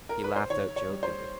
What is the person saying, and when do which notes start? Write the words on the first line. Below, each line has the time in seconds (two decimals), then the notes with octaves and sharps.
He laughed out jovially.
0.09 A#4
0.24 B4
0.36 C5
0.50 D#3 C#5
0.76 C#5
0.89 G3
1.03 C5